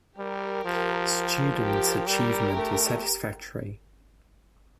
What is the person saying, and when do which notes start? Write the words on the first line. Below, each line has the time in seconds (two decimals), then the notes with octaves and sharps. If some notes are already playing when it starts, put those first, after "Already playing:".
Students' achievement is satisfactory.
0.17 G3 G4 A#4
0.65 F3
1.60 G4 A#4
2.07 G3 G4 A#4
2.55 A3